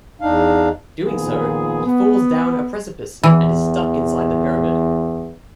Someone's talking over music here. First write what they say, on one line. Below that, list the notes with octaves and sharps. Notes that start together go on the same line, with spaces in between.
Doing so, he falls down a precipice and is stuck inside the pyramid.
E2 D4 D#4 F5
A#2 D#3 F3 B3 G#4
B3
E2 E3